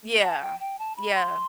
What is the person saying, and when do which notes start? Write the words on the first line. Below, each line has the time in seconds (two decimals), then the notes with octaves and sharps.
Yeah, yeah.
0.23 A5
0.41 G5
0.60 G5
0.79 A5
0.97 B5
1.15 C6